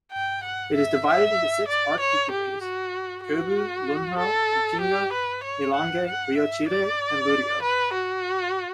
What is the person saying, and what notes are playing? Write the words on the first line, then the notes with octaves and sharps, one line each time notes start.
It is divided into six archdeaconries: Cobue, Lunho, Lichinga, Milange, Rio Chire and Lurio.
G5
F#5
E5
E5
D5
C#5
G4
F#4
F#4
A4
G4
B4
C#5
F#5
F#5
E5
D5
B4
F#4